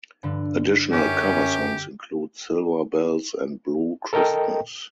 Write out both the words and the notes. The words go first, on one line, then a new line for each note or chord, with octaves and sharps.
Additional cover songs include "Silver Bells" and "Blue Christmas".
G2 D3
F#2 C#4 G4
A4 A#4 D#5 G5